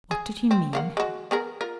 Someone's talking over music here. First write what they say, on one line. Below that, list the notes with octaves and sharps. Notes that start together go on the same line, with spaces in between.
What did he mean?
G#4
C4
A#3 F5 F#5
G#3 F#4
B3 G#4 A#4
F4 A#4